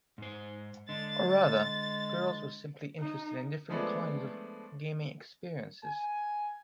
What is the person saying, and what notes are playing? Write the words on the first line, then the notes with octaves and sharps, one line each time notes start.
Rather, girls were simply interested in "different kinds" of gaming experiences.
G#2 C5
D3 G#3 A6
D#4
F3 G#3 A3 B3 D4
G#5